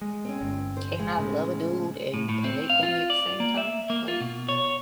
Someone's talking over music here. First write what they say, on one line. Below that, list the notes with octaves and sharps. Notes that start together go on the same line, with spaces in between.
Can't I love a dude and and make money at the same time, like,
G#3
C4 C#4
G1
C5
G#3
A2 C#3
A2
A2
C4
F5
F4
D5
A#3
E5
A#3
F4
B2
C#5